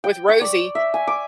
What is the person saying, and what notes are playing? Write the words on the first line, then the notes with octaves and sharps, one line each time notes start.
with Rosie,
G5
C#6
D5
E5
G#5
D6